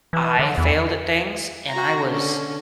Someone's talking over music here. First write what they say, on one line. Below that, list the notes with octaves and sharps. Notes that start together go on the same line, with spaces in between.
I failed at things, and I was
E3
D3
E2
F#4 A#5
D3 C#4